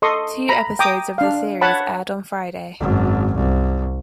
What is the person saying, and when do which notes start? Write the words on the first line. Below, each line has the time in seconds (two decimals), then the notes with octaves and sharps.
Two episodes of the series aired on Friday.
0.02 A4 D#5 C6 C#6 D#6
0.49 A#5 B5
0.79 G5 A#5 D6 D#6
1.18 D4 F5
1.61 C#5 F#5 A5 B5
2.79 G#1 F#2
3.35 C2